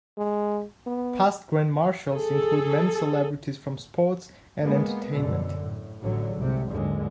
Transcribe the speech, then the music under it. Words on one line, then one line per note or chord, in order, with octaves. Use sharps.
Past Grand Marshals include many celebrities from sports and entertainment.
G#3
B3
G#4 A4
G#3 A#3 B3
F#2 B2 D3
A2
A1 D3 F#3
C2 G#2 C3
G#1 D#2 D3 F#3 G#3